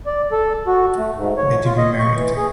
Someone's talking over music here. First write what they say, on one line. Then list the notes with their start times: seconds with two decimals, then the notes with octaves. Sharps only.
Betty remarried.
0.06 D5
0.32 A4
0.67 F#4
0.98 A3
1.17 G#2
1.37 C#5
1.65 F4
1.78 D#5
1.99 C#6
2.15 E3
2.37 G#4